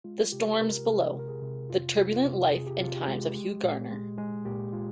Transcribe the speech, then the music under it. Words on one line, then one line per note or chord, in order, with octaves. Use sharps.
The Storms Below: The Turbulent Life and Times of Hugh Garner.
G#3 F4
C3 G4
C3 A#4
C3 A#4
C3 A#4
G#4
C3
F2 F4
C3
F4
C3
C3 G#4
G4
C3 F4
G4
G#3
G#3
A#2
G#3
G#3 G#4
A#2 G4
G#3 F4